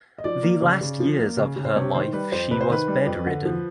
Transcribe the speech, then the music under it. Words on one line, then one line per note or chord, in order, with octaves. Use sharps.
The last years of her life she was bedridden.
D#5
F3 D5
A#3
C#3
C#3
F3
A#3
C#3
C#3
C5
C3 C#5
D#3 C5
G3 B4
F2 C5
C3 B4
C5
D#3 B4
G3
F2
D3
F3